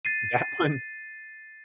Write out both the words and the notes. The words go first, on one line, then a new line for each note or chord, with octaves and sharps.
That one
A6 C7 D#7